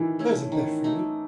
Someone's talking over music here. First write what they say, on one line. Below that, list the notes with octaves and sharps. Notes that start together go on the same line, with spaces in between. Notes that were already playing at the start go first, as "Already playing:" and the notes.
There's a bet for you!...
Already playing: D#3 E3
A3 C#4
D#3
A3 D#4